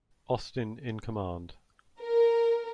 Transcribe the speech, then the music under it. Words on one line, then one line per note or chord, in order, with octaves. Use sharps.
Austin in command.
A#4